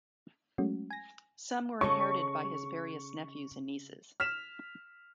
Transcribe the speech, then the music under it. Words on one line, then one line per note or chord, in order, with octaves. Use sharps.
Some were inherited by his various nephews and nieces.
F#3 G#3 A3 C#4 F#4
G#5 A#6
C#3 A4 D#5 C#6
F6 B6 E7 F7